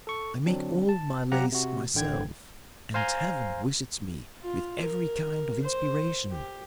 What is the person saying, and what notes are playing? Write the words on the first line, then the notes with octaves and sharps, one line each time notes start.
I make all my lays myself, and heaven visits me with every kind of inspiration.
A4 C#6
D3 F#3 C4 D4
A5
C3 F#3 G4 F5 F#5 A#5
C3 F#4
A1 D3 G5 G#6
C5 F5 G#5 A#5 C6
F4
A#4
C5
G4